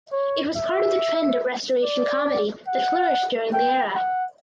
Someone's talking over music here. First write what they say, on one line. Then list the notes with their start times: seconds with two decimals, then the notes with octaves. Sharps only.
It was part of the trend of Restoration Comedy that flourished during the era.
0.12 C#5
0.56 E5
1.83 D5
2.67 F#5
3.53 G5
3.95 F#5